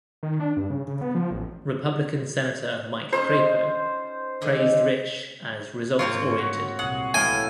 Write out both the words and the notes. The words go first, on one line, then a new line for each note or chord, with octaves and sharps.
Republican Senator Mike Crapo praised Risch as "results-oriented".
D#3
D4
G2
C#3
C#3
B3
F3
A1
C#4 D#4 F4 C5
D3 D#3 G#3
G#2 A#3 C4 F4 C#5
F#4
C2 A#2 G#4 F#5
A2 E3 F5 G5 G#5